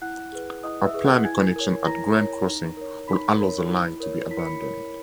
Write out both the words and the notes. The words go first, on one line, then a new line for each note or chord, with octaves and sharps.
A planned connection at Grand Crossing would allow the line to be abandoned.
E4 F#5 F#6
G#4 B4
E4 D#5 D#6
E5 E6
G#4 B4
F#5 F#6
E4 G#5 G#6
A#4 C#5
E4 A#5 A#6
A#4 C#5
D#4
A#4 C#5
D#4 B5 B6
A#4 C#5
E4
A#4 C#5
E4 B6
C#7
B5 B6
A#4 C#5